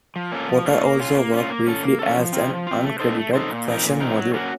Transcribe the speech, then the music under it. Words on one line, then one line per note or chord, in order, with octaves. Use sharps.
Potter also worked briefly as an uncredited fashion model.
F3
A#3 C#4 F4 A4
F3
A#3 C#4 F4 A4
A#3
C#4 F4
A#3
C#4 F4
A#3
C#4 A4
A#3
C#4 A4
F3
C4 F4
F3
C4 F4
A3
D#4 A4 C5
A3
D#4 A4 C5
A#2
F3 C4 D#4 A#4
A#2
F3 C4 D#4 A#4
F#3
A#3 C#4 F#4